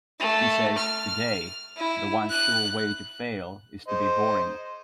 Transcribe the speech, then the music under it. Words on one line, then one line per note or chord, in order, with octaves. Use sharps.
He says, Today, the one sure way to fail is to be boring.
A3
F6
E4
F#6
C5 D#5